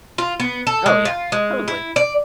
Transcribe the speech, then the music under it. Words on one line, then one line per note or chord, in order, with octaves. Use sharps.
Oh, yeah. Totally.
F4
B3
A4
G#3
F4
G#3
E4
D5